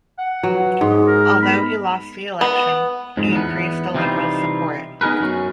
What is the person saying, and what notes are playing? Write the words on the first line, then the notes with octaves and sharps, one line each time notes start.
Although he lost the election, he increased the Liberals' support.
F#5
F#3 B4
G#2 G#4
A#4
B3 B5
B3
F2 G#2
E2 B3
C3 E3 G3 B3 D#4 F4
B3 D#4 G#4 A#4 B4
F#2 C#4